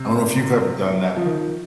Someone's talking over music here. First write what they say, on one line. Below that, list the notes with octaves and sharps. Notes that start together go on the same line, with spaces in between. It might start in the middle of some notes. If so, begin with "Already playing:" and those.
I don't know if you've ever done that.
Already playing: C3
F3
D#3